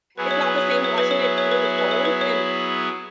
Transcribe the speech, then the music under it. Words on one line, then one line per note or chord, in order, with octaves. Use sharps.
it's not the same watching it through the phone and
F#3 B3 E4 G#4 B4
C#5
B4
C#5
B4
C#5
B4
C#5
B4
C#5
B4
C#5
B4
C#5
B4
C#5